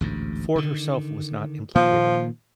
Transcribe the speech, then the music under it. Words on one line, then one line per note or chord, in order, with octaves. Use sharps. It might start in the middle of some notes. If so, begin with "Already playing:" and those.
Ford herself was not implicated.
A1 D2 G#2
D3 D#3
A#2 D#3 F3 A#3